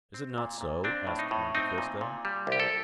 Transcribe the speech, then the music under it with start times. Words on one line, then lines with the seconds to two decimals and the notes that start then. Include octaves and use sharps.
"Is it not so?" asked Monte Cristo.
0.14 C4
0.38 A#2
0.61 A#2
0.84 C4 D4
1.07 A2
1.19 D#4
1.31 A2
1.55 C4 D#4
1.78 A#2
2.01 A#2
2.25 G3
2.47 C2 G4
2.60 A4